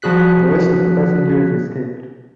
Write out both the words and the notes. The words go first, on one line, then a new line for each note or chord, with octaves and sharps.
The rest of the passengers escaped.
F3 G3 F#4 G#4 F#6 B6